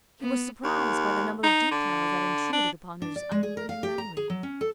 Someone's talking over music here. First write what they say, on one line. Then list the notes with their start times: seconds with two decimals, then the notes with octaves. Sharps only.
He was surprised by the number of details that intruded upon his unwilling memory.
0.21 B3
0.64 D#2
1.43 D#4
1.71 D3
2.52 D4
3.02 D4
3.16 D5
3.32 G#3
3.43 G#4
3.57 A#4
3.69 F5
3.83 G4
3.98 A#5
4.17 G#4
4.30 F#3
4.43 C#4
4.61 A4